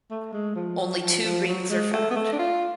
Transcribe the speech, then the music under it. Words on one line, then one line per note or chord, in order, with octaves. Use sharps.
Only two rings are found.
A3
G#3
F3
F#3
F3
F3
F#3
G#3
A3
B3
A3
D4
F4